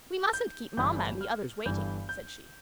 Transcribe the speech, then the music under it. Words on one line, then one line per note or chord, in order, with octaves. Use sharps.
"We mustn't keep mamma and the others waiting," said she.
G6
G1 G2 E3 G6
F6
G1 G2 E3 G6
G6